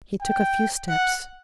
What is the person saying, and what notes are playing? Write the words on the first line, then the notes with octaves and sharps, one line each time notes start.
He took a few steps.
G5
F#5